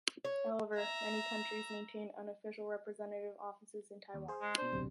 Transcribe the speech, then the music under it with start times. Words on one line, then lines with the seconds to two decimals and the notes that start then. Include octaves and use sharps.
However, many countries maintain unofficial representative offices in Taiwan.
0.25 C#5
0.75 E5 A#5
4.14 D#2
4.28 G#4 C5
4.42 G#3
4.58 B2 D4 C5
4.72 D1 B1 C3